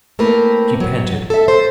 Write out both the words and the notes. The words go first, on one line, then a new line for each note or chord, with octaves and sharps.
She panted.
A3 A#3 C4 E4 A#4 B4
F#3
A4 E5
C5